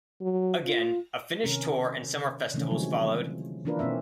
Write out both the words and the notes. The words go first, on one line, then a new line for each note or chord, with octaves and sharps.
Again, a Finnish tour and summer festivals followed.
F#3
F4
C3 D#3 C#4 A#4
C3 D#3 E3 A3 C4 C#4
D3 F3 F#3 G#3
E3 A#3 D4 F4 A#4 B4
B2 A#3 C4 C#4 E5